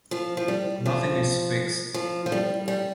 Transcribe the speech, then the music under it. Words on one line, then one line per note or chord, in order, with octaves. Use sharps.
Nothing is fixed.
F3
F3
G3
F3
F3
F3
G3
G3